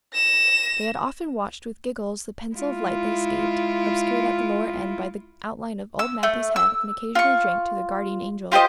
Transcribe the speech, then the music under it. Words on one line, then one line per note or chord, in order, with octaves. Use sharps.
They had often watched with giggles the pencil of light that escaped, obscured at the lower end by the outline of Old Mappy's head, and occasionally drank to the "Guardian Angel".
A#6 E7
G#3 E4 F4
E6
A3
E6
F4 C#6
F4 G4 C5 D#5